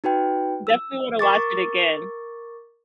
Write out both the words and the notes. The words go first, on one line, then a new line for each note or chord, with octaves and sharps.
defintietly wanna watch it again.
D#4 F#4 B4 G5
E6
A#4 C#6 D6 A6